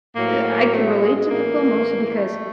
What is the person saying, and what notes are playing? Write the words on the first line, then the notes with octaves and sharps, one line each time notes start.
eh, I can relate to the film mostly because
A2 F#3 A#3
A3
G#3
A2 E3 A#3
A3